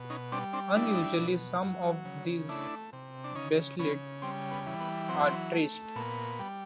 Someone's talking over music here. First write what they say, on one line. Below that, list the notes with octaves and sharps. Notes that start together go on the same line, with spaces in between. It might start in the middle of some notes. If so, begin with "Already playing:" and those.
Unusually some of these Bastles are terraced.
Already playing: B2
C#4 D#4
G3 C4 D4
C4 D4
G3 D4 E4
B2
F#3
C#3
A3 D4 E4
C3
D4
C#3 C#4 D#4
C#3 B3 C#4
G3 C4
B3
E3
B3
F#3 C4
A3
A#2 B3
G3